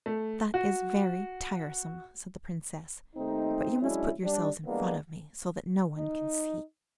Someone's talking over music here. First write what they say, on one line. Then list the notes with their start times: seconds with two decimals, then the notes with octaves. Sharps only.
'That is very tiresome!' said the Princess. 'But you must put yourselves in front of me, so that no one can see.'
0.06 A3
0.54 F#4
3.16 D#2 A3 C4 D#4
3.81 F#3 G#3 C#4 D4 E4
4.23 G3 D4
4.66 E3 G3 G#3 A#3 B3 D4
5.97 D#4